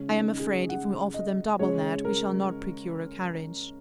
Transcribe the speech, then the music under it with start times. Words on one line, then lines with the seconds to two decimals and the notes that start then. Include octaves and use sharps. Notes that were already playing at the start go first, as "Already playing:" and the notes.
"I am afraid if we offer them double that we shall not procure a carriage."
Already playing: C#3 G#3 C#4
0.08 D#4
0.39 G#4
0.69 F#5
1.14 D#5
1.59 C#3 G#3 C#5
2.05 A#4